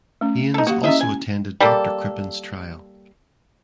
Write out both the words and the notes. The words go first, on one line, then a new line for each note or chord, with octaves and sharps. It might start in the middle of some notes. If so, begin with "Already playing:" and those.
Haynes also attended Dr Crippen’s trial.
A3 C#4
D#4 A4
A#3 F#4 G4 F5
C#4 E4 D#5 E5
G#5
G3 A#3 A4